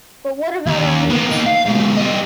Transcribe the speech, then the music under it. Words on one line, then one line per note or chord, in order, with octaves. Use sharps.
But what about our meat?
D#2
A#3 B3
A#3 D#4
F5
G#2 B2
G2 D#5